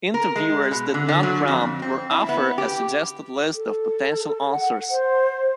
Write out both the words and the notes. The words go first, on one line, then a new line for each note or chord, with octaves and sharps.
Interviewers did not prompt or offer a suggested list of potential answers.
A#4
G#3
B2
D3
D3
F#3
F2
C4
E4
B3
G4
A4
F#5
C5